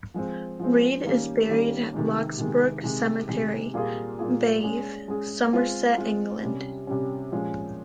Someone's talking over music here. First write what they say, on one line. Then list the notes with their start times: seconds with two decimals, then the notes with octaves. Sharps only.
Reade is buried at Locksbrook Cemetery, Bath, Somerset, England.
0.14 F3 G#3 C4
0.60 F3 G#3 C4
1.04 D#3 G3 A#3 C#4 G4
1.49 D#3 G3 A#3 C#4 G4
1.94 C3 D#3 G#3
2.38 C3 D#3 G#3
2.84 C3 D#3 G#3
3.28 C3 D#3 G#3
3.74 A#2 G3 A#3 F4 G#4
4.19 A#2 G3 A#3 F4 G#4
4.64 G#3 C#4 G#4
5.08 G#3 C#4 G#4
5.53 G#3 C4 F4
5.97 G#3 C4 F4
6.42 C3 G3 C#4
6.87 C3 G3 C#4
7.32 A#2 F3 G#3 C#4